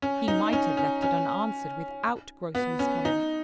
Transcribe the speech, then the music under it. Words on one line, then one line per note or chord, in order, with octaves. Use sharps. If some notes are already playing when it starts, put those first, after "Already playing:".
He might have left it unanswered without gross misconduct.
C#4
D#4
C#4
C#4
C#4
B3
C#4
D#4